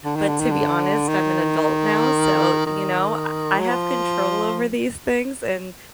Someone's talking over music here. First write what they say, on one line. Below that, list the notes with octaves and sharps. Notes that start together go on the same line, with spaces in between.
but to be honest, I'm an adult now, so, you know, uh, I have control over these things and
D3
D#3
D3
D#3
D3
D#3
D#3
F#3
F3